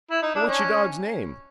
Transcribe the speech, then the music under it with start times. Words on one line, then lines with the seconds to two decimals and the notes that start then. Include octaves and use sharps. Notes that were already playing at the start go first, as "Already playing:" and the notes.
"What's your dog's name?"
0.11 E4
0.22 D#4
0.35 D4
0.48 C#4